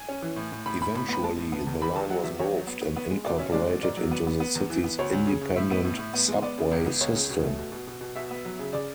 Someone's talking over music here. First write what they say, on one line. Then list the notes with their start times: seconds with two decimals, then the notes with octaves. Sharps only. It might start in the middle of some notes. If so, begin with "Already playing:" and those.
Eventually, the line was moved and incorporated into the city's Independent Subway System.
Already playing: G#5
0.09 C#4
0.22 E3
0.36 A2
0.52 A2
0.66 A2 B5
0.81 A2 B5
0.95 A2 B5
1.08 B3 B5
1.23 G#3 A5
1.38 A2
1.52 B3
1.67 E2
1.81 E2 B5
1.96 E2 A5
2.09 F#3 F#5
2.24 E2 E5
2.39 E2 C#5
2.53 F#3
2.67 B3
2.82 B3
2.96 B3
3.10 G#3
3.26 B2 D5
3.38 C#4 E5
3.52 G#3 D5
3.68 B2
3.83 G#2 D5
3.97 F#3
4.11 B3
4.27 B3
4.40 B3
4.55 E2
4.70 E3
4.84 B3
4.99 D2 C#5
5.13 D2
5.27 C#3
5.41 C#3
5.56 A2 E5
5.71 B3
5.84 A2
5.99 A2
6.14 B3
6.28 G#3
6.42 B3 D5
6.58 C#3
6.72 C#2
6.86 B3
7.01 C#2 C#5
7.15 C#3
7.30 B2
7.43 A3
7.59 B2
7.72 B2
7.87 B2
8.01 B2
8.16 B2 E5
8.31 B3
8.45 F#3
8.59 C#3
8.73 C#3 D5